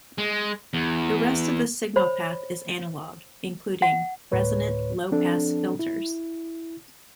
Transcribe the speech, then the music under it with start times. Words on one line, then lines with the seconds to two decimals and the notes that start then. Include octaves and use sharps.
The rest of the signal path is analog, including resonant low-pass filters.
0.18 G#3
0.74 E2
1.96 C5 C#5 B5
3.82 F#5
4.32 D2 A2 B4 C#5
5.11 F3 C4 D4 A4
5.79 E4